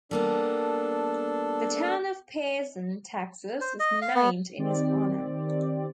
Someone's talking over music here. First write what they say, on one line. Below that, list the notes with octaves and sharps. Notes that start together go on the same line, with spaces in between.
The town of Pearson, Texas was named in his honor.
G3 A#3 B3 D4 A4
C5
D#5
F5
B3
D#3 C4 G4 D5